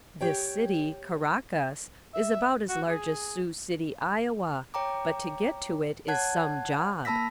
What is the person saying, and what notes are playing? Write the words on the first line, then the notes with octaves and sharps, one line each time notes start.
This city, Caracas, is about as large as Sioux City, Iowa, but to get to it is some job.
G4 C#5 G5
E5
F#4
G#4
C#5 G5 A#5 D6
C#5 F#5 A5 F#6 G#6
A#3 A5 B5 E6 A#6 B6